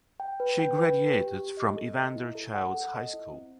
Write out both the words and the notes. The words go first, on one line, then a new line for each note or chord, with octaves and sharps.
She graduated from Evander Childs High School.
G5
B4
G5
B4
G5
G4
G4
D#5
A4
D#5
E4
A4
F#5
A4
D#5
E4
C4